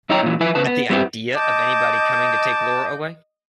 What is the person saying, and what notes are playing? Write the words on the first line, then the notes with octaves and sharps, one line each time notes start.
At the idea of anybody coming to take Laura away?
F#2 D#4 E4 C#5 G5 A#5
A#2 E3
F3 E4 B4 E5 G#5 B5
C#3 B4 A5
B3
G3 B3 C4 E4 G4
D#5 A5 D6 G6